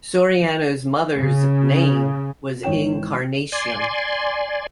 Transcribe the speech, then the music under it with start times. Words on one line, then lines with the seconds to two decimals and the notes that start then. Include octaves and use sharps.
Soriano's mother's name was Encarnacion.
1.16 C#3
2.63 G#1 E3 C#5 G5 E7
3.52 D5 G#5 C6